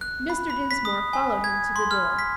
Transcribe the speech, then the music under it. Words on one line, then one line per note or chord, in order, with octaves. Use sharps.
Mr. Dinsmore followed him to the door.
F#6
B5
B5
B6
D#6
G#5
G#6
C6
F6
B6